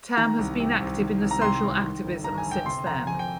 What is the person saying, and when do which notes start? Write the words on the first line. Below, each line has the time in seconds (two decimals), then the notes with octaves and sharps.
Tam has been active in the social activism since then.
0.17 D#3 A#5
0.39 C2
0.60 C3
0.80 C2
1.00 D#3
1.21 C2
1.31 A#5
1.42 C3 C6
1.63 C2
1.84 D#3
2.04 G1
2.24 G2 A#5
2.38 G#5
2.46 G1
2.51 G5
2.65 C3 C6
2.87 F1 A#5
3.07 F2 G#5
3.19 G5